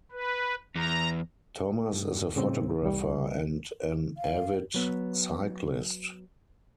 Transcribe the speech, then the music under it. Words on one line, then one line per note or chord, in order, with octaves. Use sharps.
Thomas is a photographer and an avid cyclist.
B4
E2 A#5
G2
A2 C#3 G3 C4
C2 G3
F5
F#3 B3